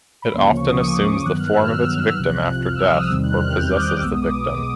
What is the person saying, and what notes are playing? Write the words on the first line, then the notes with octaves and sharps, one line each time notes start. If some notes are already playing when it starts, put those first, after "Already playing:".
It often assumes the form of its victim after death or possesses the victim.
B5
D2 C#3 F3 A#3 C#4 C6
C#6
D#6
D6
D#6
D6
G2 D#3 F#3 B3 F#6
F6
E6
F6
F6
C2 C3 F3 F#6
F6
E6
D#6
E6
E6
E2 C3 D#3 G3 C4 E6
F#6
F6
G6
D6
D#6
B1 B2 G#3 B3 E6
D#6
D6
D#6